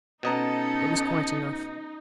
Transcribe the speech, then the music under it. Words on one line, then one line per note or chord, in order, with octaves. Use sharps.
It was quite enough.
B2 C#4 D#4 A4 D#5 A#5